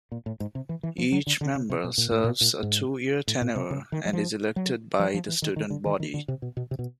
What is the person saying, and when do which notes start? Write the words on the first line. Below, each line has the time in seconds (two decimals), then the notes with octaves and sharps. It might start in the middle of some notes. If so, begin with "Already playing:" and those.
Each member serves a two-year tenure and is elected by the student body.
0.12 A#2
0.26 A2
0.40 G#2
0.55 C3
0.69 E3
0.83 E3
0.98 F3
1.12 F#3
1.27 D3
1.41 D3
1.55 C#3
1.70 C3
1.84 B2
1.98 A#2
2.11 A2
2.24 A#2
2.41 A#2
2.63 G#2
3.27 A2
3.42 A#2
3.56 C3
3.70 C#3
3.92 D#3
4.05 F#3
4.13 F3
4.56 F#3
4.99 F3
5.14 F3
5.28 E3
5.42 D#3
5.56 D#3
5.70 D3
5.86 D#3
6.00 D#3
6.14 D3
6.28 C3
6.42 B2
6.57 B2
6.71 C3
6.79 B2